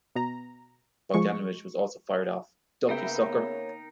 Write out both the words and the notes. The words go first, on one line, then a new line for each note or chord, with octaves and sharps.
Bogdanovich was also fired off Duck, You Sucker!
B2 A#5
F3 G#3 C#6
C#3 A#3 B3 D#4 A#4 E5 G5
C#5